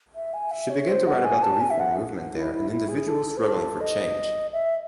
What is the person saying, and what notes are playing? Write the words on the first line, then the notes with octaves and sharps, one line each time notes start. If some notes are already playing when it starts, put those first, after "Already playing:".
She began to write about the reform movement there and individuals struggling for change.
E5
G#5
E5
C#5
C5
F#5
G#5
A5
G#5
E5
F#5
E4
E4
E4
G#4
A4
C5
A4
D#5
E5